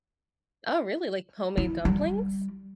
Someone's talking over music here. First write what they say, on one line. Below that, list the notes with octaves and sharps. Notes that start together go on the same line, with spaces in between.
Oh, really, like homemade dumplings?
E4
G3